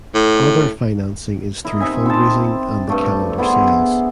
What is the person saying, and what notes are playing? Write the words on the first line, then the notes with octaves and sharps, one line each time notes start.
Other financing is through fund raising and the calendar sales.
A2
E4 A#4 D#5
C3 D#4 E5 G#5
C4 E4 D#5 A5
G2 A3 D5
B3 E4 G#4 C5